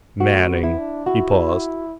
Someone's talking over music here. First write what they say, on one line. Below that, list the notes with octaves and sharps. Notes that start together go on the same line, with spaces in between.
"Manning." He paused.
A3 F#4
B3
E4
D4
E4 F#4